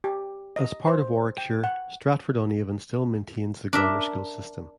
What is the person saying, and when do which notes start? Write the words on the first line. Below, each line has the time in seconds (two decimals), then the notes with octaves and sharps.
As part of Warwickshire, Stratford-on-Avon still maintains the grammar school system.
0.04 G4
0.56 D#5
0.87 C5
1.38 G5
1.64 F#5
3.73 D4 A#4 E5